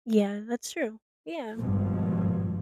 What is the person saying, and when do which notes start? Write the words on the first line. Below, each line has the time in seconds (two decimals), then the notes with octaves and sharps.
Yeah, that's true, yeah.
1.58 G#1 G2 B2 F3